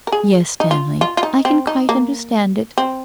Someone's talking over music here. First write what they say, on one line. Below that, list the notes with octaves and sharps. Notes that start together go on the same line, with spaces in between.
'Yes, Stanley, I can quite understand it.
A#4
G#4
D#4
F4
F4
F4
D#4
C4
D#4
A#3
C4